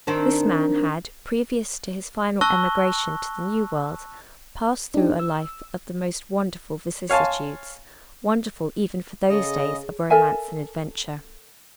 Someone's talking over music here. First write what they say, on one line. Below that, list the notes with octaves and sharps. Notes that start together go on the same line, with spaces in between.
This man had, previous to his final emigration to the New World, passed through a life of the most wonderful vicissitudes--wonderful even for those days of romance and adventure.
D#3 C4 D4
A5 C#6 E6 F#6 A#6 G7
D4 D#4 G4
E6
C#5 F5 G#5 A5 C6
C#3 G#4 A4 C#5 D#5
A4 A#4 E5 G#5